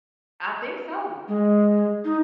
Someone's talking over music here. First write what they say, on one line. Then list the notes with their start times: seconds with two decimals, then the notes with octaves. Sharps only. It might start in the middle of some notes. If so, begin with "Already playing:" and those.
I think so.
1.28 G#3
2.05 D#4